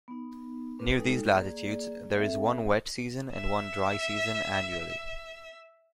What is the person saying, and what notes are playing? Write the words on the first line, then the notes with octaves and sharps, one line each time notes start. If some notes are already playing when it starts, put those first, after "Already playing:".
Near these latitudes, there is one wet season and one dry season annually.
B3 D#4
C4 D4 A#4 B4
G3 G#3 D#4 A4
A#3 G#4 D5
C4 A4 E5
E5 E6